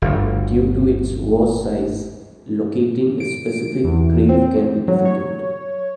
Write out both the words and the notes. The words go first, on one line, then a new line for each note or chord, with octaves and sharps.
Due to its vast size, locating a specific grave can be difficult.
G1 D2
D7
E2
C4
F#3
C#5